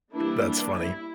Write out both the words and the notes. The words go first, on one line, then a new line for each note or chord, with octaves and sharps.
That's funny.
E3 G3 A#3 D4 E4
D4
E4